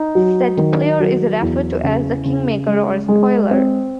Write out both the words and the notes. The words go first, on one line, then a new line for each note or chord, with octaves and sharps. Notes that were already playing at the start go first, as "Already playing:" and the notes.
Said player is referred to as the "kingmaker" or "spoiler".
Already playing: D#4
F#3
D#3
F#3
E2
C#3
C#3
G#3
G#3
C4